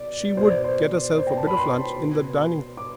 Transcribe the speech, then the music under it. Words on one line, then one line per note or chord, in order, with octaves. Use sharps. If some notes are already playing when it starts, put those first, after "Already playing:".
She would, get herself a bit of lunch in the dining-room.
Already playing: B2 D5
B2 C5
D5
C5
C5
C5
G5
A5
B5
C6
B2
D6